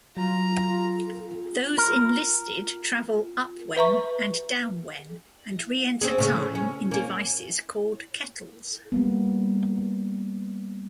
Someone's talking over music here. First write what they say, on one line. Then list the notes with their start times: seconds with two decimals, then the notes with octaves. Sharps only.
Those enlisted travel "upwhen" and "downwhen" and re-enter time in devices called "kettles".
0.17 F#3 F4 A#5
1.78 A#4
3.76 B4 E5 A#5 C#6
6.01 C4 C#4 G#4
6.18 A2 C#3 C#4
6.55 C#4
6.91 A#3 C#4
8.92 G3 A#3 B3